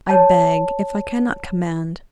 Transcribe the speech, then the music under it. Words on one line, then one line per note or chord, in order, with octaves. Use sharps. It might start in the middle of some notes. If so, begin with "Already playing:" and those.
I beg--if I cannot command.
C#5 A5